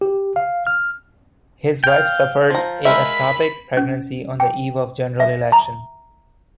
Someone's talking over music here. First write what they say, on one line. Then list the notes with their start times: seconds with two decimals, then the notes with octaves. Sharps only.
His wife suffered a ectopic pregnancy on the eve of the General Election.
0.01 G4
0.36 F5
0.67 F6
1.84 F5 G5
2.50 F3 A#5
2.85 G#3 A#4 E5 B5
3.77 C#4
4.40 G5
5.20 E5
5.52 A#5